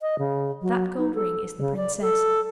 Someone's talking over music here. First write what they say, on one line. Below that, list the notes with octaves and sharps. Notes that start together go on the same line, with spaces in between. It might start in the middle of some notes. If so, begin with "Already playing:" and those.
That gold ring is the princess.
D#5
C#3
F#3
D#4
A4
C#3
D5
A4